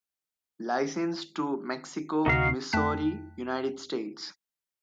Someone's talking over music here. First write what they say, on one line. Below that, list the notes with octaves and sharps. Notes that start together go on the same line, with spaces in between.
Licensed to Mexico, Missouri, United States.
D2 C3 D#4 F#4 F5
F2 A3 G5 A5 F#6 B6